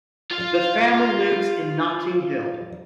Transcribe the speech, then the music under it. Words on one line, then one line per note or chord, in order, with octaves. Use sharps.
The family lives in Notting Hill.
F4 F5